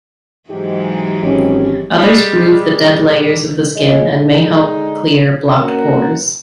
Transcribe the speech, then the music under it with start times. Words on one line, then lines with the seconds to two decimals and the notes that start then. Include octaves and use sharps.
Others remove the dead layers of the skin and may help clear blocked pores.
0.50 G#2 E3 F#3 G#3 D#4 G4
1.23 G#1 C#4 G4
1.94 G3 G#3
3.76 F3 G#3 G#4 C#5 D#5
4.23 D3 G#3 D#4
5.58 B2 A#3 C#4 F#4 A#4